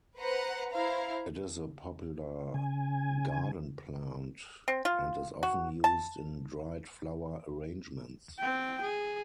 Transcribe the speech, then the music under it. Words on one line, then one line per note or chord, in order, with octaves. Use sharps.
It is a popular garden plant and is often used in dried flower arrangements.
B4 C5 F#5 A#5
E4 C5 F5 A#5
C#3 G#5
C4
F4
F#4
A5
C4 G5
G#4